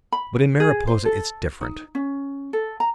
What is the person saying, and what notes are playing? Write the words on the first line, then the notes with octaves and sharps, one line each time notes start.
But in Mariposa it's different.
B5
G#4
C5
A4
D#4
C#4
A4
A#5